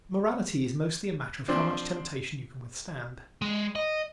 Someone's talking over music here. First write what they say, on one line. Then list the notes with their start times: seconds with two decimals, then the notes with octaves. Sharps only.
Morality is mostly a matter of how much temptation you can withstand.
1.48 F3 C4 D4
3.42 G#3
3.76 D#5